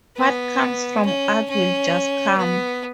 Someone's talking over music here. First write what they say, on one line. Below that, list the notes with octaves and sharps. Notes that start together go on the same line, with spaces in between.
What comes from art will just come.
B3
C#4
C#4
B3